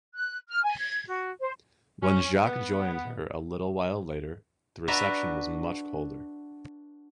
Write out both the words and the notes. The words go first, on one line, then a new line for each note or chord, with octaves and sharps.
When Jacques joined her a little while later, the reception was much colder.
F#6
F6
G#5
G#6
F#4
C5
C#4
B3
D4 F#4 B4 D5 E5 A#5